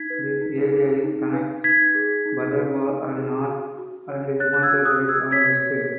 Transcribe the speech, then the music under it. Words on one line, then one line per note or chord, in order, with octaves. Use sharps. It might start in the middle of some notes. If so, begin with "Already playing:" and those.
This area is connects Bhaderwah on North and Himachal Pradesh on West.
Already playing: D#4 G#6 B6
B4
D#4
G#4
D#4
B4
D#4 G#6 B6
G#4
D#4
B4
D#4
G#4
F#4
F#4
C#5
C#5 F#6 A6
F#6
E6 G#6
F#4
D#6 F#6
F#4
E6 G#6
C#5 G#6 B6
C#5